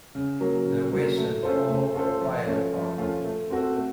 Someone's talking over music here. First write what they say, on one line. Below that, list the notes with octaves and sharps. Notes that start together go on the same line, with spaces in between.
The West Saint Paul Fire Dept.
C#3
F#3 A#3
C#3
F#3 A#3
A3
C#4 F4 A4 C5
A3
C#4 F4 A4 C5
F3
A3 C#4 F4
F3
A3 C#4 F4
A3
C4 F#4 A4
A3